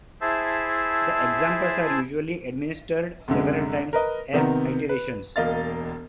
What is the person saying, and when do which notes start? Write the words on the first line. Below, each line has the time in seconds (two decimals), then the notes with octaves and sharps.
The examples are usually administered several times as iterations.
0.21 E4 G#4 C5 E5 A5
3.28 C2 F#2 D3 G#3
3.93 A#4 B4 D#5
4.33 C3 D#3 B3 A#4
4.89 B4
5.36 E1 A#3 D#5 F5 A6